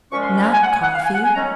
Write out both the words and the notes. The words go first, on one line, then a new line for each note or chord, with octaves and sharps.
Not coffee.
A#2 F3 G#3 C#4 C#6
C6
A#5
G#5
F#5
G#5
F#5
F5
G#5
F#5
G#5
D#3 F#3 C#4 A#5